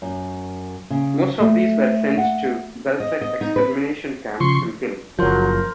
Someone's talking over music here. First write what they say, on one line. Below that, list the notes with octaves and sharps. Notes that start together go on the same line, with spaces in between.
Most of these were sent to Belzec extermination camp and killed.
F#2
C#3
A3
F#5
D#5
D#5
D#4
B4
C#3 F3 C6 C#6
F#1 F3 F#3 A#4 C6 G6